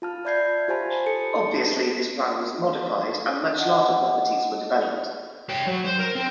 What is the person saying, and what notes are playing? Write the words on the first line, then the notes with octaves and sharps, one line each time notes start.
Obviously, this plan was modified and much larger properties were developed.
F4 A5 F6
D5 E5 B5 G6 G#6 C7
F4 G4 C5 G#5 A5 B5
A4 A5 C#7
A5
D#5 F#5 A5
C#5 G5
F#3
C5
A#4
C4